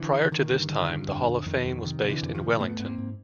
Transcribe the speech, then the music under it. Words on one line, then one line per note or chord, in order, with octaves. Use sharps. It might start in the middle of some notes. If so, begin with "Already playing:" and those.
Prior to this time the Hall of Fame was based in Wellington.
Already playing: D3 E3
C#3
D3 D#3
G2
D3 D#3
G2
F2 D3
F2
F2 D#3
F2
C3 D#3
C3
D3 E3
F2
D#3 F3
C3
G#2 A3 B3
G#2 B3
A#3 C4
G#2